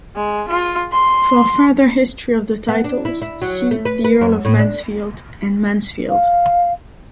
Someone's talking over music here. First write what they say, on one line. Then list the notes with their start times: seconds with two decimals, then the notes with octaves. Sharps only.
For further history of the titles, see the Earl of Mansfield and Mansfield.
0.16 G#3
0.49 F4
0.92 C6
2.68 B3
2.84 D4
3.05 E4
3.22 E4
3.42 F#3
3.71 A3
3.85 B4
4.05 B4
4.21 F#2
4.45 A2
4.59 D4
6.10 F5